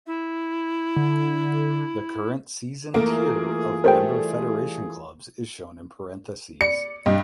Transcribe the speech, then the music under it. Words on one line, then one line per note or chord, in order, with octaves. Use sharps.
The current season tier of member federation clubs is shown in parentheses.
E4
D3
E3 A3 A#3 F4 G#4 A#4
G3 A3 A#4 C5 G5
D5 C#7
G2 D#5